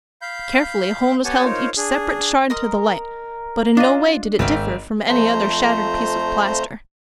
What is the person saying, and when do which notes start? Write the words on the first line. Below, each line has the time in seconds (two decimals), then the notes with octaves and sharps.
Carefully Holmes held each separate shard to the light, but in no way did it differ from any other shattered piece of plaster.
0.22 F5 B5 G6
1.25 B3 G4 C#5 F#5 G#5 A5
1.44 D#4 F4 A#4 C5 C#5
1.77 D4 G#4
2.50 A#4 D#5 C6 D#6
3.77 D4 F4 D#5
4.39 G#1 E5 F5 G5
5.09 F2 F3 A3 C5 A#5